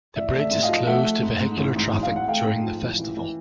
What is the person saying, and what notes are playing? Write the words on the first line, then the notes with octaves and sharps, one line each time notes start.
The bridge is closed to vehicular traffic during the festival.
A1 D5 E5
A3
D5 E5
G#2 E5
D#5 F5
F3
A3 E5 F#5
A3
G#2
G#2
A1
G#2
A1
F5
G#2
F#5
A3 F5 G5
G#2
F3
A1
E3
E3